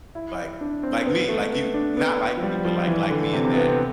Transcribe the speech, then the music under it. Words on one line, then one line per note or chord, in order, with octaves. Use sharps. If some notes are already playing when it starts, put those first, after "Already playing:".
like like me, like you not like me, but like like me in that
E4
D4
C4
B3
A3
B3
D4
B3
F3
G3
F3
E3
D3
C3
C3
B3
C4